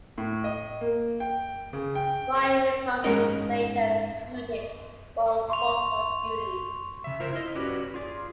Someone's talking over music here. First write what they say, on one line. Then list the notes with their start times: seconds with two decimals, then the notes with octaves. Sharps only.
Ryan McCombs was later recruited for vocal duties.
0.18 A2
0.44 D#5
0.81 A#3
1.20 G5
1.73 C#3
1.95 G5
2.43 G5
3.04 G#2 G#3 C#4 A#4 D#5
5.50 C6 C#6 F7
7.04 C#3 E5
7.20 F4 A#4 C5 E5
7.33 E4 F4 D#5
7.55 C#4 F#4 G4 B4 C#5 D5
7.94 F4 G#4 D5